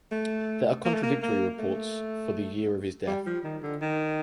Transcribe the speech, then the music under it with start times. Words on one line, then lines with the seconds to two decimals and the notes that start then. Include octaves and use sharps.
There are contradictory reports for the year of his death.
0.11 A3
0.85 A#3
0.94 A3
1.03 A#3
1.22 A#3
1.59 A3
3.07 G3
3.26 F3
3.44 D#3
3.63 D3
3.81 D#3